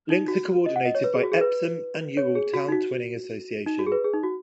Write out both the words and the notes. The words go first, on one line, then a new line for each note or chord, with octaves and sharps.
Links are coordinated by Epsom and Ewell Town Twinning Association.
D#4
F#4
D#5
F#5
D#5
C#5
B4
G#4
F#4
G#4
B4
C#5
G#4
F#4
D#4
F#4
D#4
F#4
G#4
B4
G#4
D#4
F#4